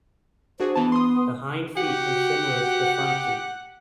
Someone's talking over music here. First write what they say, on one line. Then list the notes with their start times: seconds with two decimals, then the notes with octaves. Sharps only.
The hind feet are similar to the front feet.
0.60 D4 F#4 G#4 C5
0.76 E3 B3 A5
0.92 C6 D#6
1.77 F#4 G4 F#5